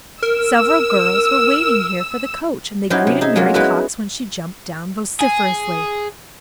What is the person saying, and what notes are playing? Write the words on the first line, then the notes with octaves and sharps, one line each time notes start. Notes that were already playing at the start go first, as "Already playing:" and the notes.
Several girls were waiting here for the coach, and they greeted Mary Cox when she jumped down, vociferously.
A#4 E6
F#3 C#4 D#4 E4 G4 C5
C3
D#4 G#4 E5
F#3 G#3 A#3 C#4 F4
G#3 B3 D#4 E4 F#4 E5
G#4